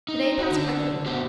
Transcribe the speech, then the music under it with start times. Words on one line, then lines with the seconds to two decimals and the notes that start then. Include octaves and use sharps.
The day passed quickly.
0.09 D#4
0.39 F#4
0.51 D3
1.06 B3 F#4 G4 C5